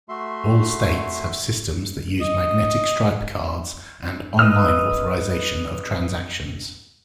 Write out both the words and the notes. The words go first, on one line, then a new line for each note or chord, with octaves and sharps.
All states have systems that use magnetic stripe cards and "on-line" authorization of transactions.
A3 F#4 E5 C6
D#5
B4 D#5 E6 F6